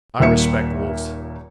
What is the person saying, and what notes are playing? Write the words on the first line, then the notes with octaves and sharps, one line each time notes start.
I respect wolves.
D#1 D#2 A#2 A#3 E5 C#7